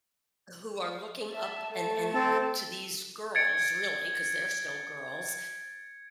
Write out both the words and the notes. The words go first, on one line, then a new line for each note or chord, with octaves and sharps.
who are looking up and and to these girls, really, 'cause they're still girls,
E5 A5
A3 A5
C4 A4
G#6 A6 C#7 D7